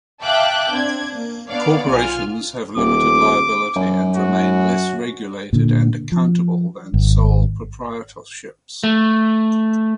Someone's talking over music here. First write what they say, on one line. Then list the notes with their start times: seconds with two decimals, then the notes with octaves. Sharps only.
Corporations have limited liability and remain less regulated and accountable than sole proprietorships.
0.23 E5 F5 G5 A5 D6 F#6
0.71 C4 D4 G#6
1.15 A#3
1.49 B3 D4 C#5 D5 F5
1.88 B1 F4 G#5 F6
2.76 D#1 D6
3.76 F#2
4.15 F#4
5.53 A#2 D3
6.12 F3
6.94 G#1
8.84 A3